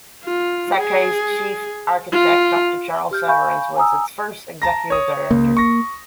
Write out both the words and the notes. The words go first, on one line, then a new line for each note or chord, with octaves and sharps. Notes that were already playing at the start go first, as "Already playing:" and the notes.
Sakai's chief architect, Doctor Charles Severance, was its first Executive Director.
F4
G#4
F4
G4 F6 G6
F5 G#5 B5 C#6 G6
G#5 A#5 D#6 E6
A5 A#5 A#6
C#5 D#6
C#2 A#3
C#6 A#6